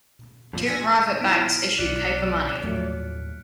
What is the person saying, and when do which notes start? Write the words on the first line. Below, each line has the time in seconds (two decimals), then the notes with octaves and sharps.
Two private banks issued paper money.
0.53 F2 A#2 F3
0.66 F3 D4 G#5 E6 A#6
1.21 B3 D#4 E4 F6 B6 D7
1.79 B1 B2 D5 F#6 C#7
2.63 D#2 A2 F3 F#3 A3